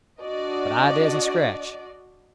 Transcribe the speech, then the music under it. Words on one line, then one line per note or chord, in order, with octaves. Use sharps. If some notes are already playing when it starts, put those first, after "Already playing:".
But I dasn't scratch.
D4 F#4 D5 D#5